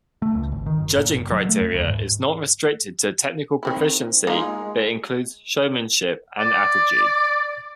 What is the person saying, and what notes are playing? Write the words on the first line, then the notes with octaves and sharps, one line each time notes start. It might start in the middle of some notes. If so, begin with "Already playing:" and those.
Judging criteria is not restricted to technical proficiency, but includes showmanship and attitude.
A3
C#2
G#1
D#3
F#1
A#2
F#1
F#3
A3
F2
D2
G#2
D#3 C4 E4
G#3 A#3 D#4 F4
D5